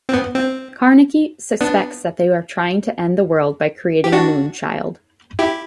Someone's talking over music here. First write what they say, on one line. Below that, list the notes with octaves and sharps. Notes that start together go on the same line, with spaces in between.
Carnacki suspects that they are trying to end the world by creating a Moonchild.
C4
B3
C4
B3 D4
G4
D4 F#4
E4 G4